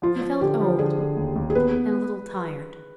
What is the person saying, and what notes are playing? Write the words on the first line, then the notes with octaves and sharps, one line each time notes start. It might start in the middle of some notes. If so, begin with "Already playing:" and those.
He felt old and a little tired.
F3 F4
F3
D3 G4
F3
D3 G#4
D3
D#2
D#2
G#4
B3 B4
B3